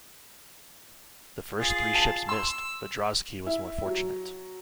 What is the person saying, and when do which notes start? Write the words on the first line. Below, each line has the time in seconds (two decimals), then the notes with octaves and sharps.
The first three ships missed, but "Drazki" was more fortunate.
1.60 F4 G#4
1.95 A5
2.29 C6 E6
3.46 E4
3.86 F#3